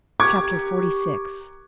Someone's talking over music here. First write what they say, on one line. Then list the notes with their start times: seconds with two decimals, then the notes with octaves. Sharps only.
Chapter XLVI.
0.20 G4 A#4 C#6 D6 G#6